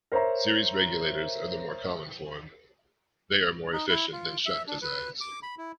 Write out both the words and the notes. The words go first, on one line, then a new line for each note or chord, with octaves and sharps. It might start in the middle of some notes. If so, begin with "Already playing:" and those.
Series regulators are the more common form; they are more efficient than shunt designs.
A#4 C5 C#5 E5 A#5
D#4
E4
F4
E5
D4
B4
D6
B5
E4